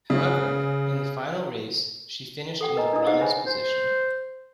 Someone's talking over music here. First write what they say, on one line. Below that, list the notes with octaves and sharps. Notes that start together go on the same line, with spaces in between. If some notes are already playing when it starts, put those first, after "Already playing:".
However, in the final race she finished in the bronze position.
C#3
A4 F#5 G5
A#4 B4 D#5 G#5 A#5
D4 E4 D#5 D#6
D#4 G#4 B4 C5 D#5 F#5
B4 C#5 E5 G5 G#5 B5
C5